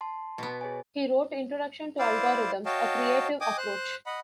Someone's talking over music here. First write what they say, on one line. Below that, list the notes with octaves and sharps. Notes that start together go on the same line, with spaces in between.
He wrote "Introduction to Algorithms - A Creative Approach".
A5 C6
B2 B3
G#4 C#5 G#5
E4 C5 D5 F5
F#4 C#5 D#5 F5 G5 A5
D#5 G5 G#5 D6 D#6
C5 F#6
D#5 F#5 B5